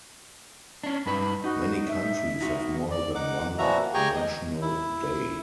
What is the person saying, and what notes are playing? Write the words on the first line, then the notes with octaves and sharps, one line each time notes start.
Many countries have more than one national day.
C#4 D4
G2 D#4 B4 B5
D#4 F#4
E5
D#4 F#4
D5
D#4 F#5 D6
A#2 E3 F3 F#4 E5 A#5
A#3
G4 G#4 G5 G#5 A#5 C#6
D#5
E4